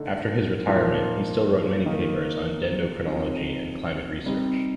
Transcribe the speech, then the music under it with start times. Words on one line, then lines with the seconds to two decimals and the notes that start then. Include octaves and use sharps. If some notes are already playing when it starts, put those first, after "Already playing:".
After his retirement, he still wrote many papers on dendrochronology and climate research.
Already playing: D3 A3 D#4
0.67 A#2 F3 A#3 D#4
1.86 D#3 A#3 D#4
3.06 F3 C4 D#4
4.24 C3 G3 C4 D#4